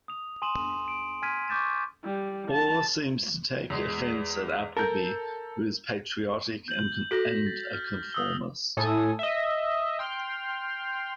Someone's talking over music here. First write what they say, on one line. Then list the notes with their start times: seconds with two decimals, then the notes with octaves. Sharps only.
Orr seems to take offense at Appleby, who is patriotic and a conformist.
0.08 D#6 F7
0.42 G#5 C6 D#6 D#7 E7 F#7
0.88 D7
1.22 G#5 C6 F6 G#6 B6 D#7
1.49 C#6 D6 G6 A6 E7
2.04 G3
2.52 A5
3.70 E2 G#3
4.77 A4 A#4 A#5 G6
6.68 G6 F#7
7.11 F#4 A4 A#6 B6
7.46 A6
7.73 F6
8.12 D#6 E6 G7
8.77 A2 A4 G#5 D#6
9.19 D#5 E5
9.99 G5 C6 F6